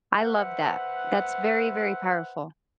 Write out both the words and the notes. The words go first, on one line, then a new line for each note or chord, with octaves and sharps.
I love that. That's very, very powerful.
B4 C5 E5 F#5